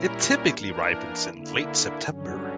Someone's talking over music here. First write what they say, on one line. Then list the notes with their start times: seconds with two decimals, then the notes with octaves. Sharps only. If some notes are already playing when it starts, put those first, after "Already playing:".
It typically ripens in late September.
Already playing: A#2 G3 C#4 E4 A#4
0.54 E3 A#3 D4 A#4
1.29 D3 A#3 E4
2.04 G2 D3 F#3 C#4